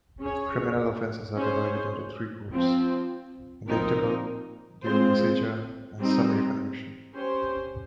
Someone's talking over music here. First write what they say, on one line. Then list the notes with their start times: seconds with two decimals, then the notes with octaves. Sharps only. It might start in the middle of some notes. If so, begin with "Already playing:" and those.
Criminal offences are divided into three groups: Indictable, Dual Procedure, and Summary Conviction.
0.20 C#4 G#4 C#5
1.37 C#4 G#4 C5
2.52 F3 C4 F4
3.67 F3 C4 D#4 A#4
4.83 G#3 C4 F4 C5
5.99 G3 C4 D#4
7.14 C#4 G4 C5